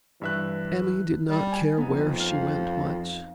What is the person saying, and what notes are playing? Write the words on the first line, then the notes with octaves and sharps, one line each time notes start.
Emmy did not care where she went much.
G2 E3 E5 F#6
G3
G#5
F2 B3 D#4
F5